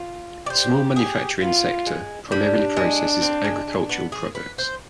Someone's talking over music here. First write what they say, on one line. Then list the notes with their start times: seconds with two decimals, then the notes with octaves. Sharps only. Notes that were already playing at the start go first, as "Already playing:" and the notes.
The small manufacturing sector primarily processes agricultural products.
Already playing: F4
0.46 D5
0.50 G4 C5
0.96 G#4
1.40 B3 F4
1.87 G#3
2.32 G3 D4
2.77 G#3
3.22 C4
3.44 G#3
3.67 G#3
3.89 B3
4.12 G#4
4.35 B4
4.58 C5